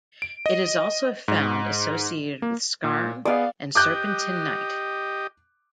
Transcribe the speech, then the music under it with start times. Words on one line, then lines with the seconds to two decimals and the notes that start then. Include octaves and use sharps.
It is also found associated with skarn and serpentinite.
0.22 D7
0.46 D#5
1.28 G#2
2.42 A#3
2.84 A#2
3.25 B3 G#4 D5 F5
3.75 G4 D#5 D6 F#6 G6